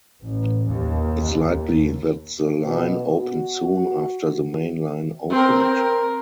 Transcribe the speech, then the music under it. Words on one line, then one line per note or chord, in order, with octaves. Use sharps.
It is likely that the line opened soon after the main line opened.
A1
D#2
D#2
B2
F#4
C4 A#4
A#4